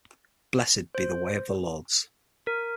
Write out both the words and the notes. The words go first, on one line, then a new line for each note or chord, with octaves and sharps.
Blessed be the way of the Lords.
C5
A#4